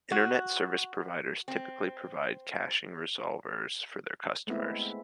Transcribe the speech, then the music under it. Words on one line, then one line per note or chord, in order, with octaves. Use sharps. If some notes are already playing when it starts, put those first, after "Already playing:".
Internet service providers typically provide caching resolvers for their customers.
F#4
C4
G#3 A3 B3 C4 E4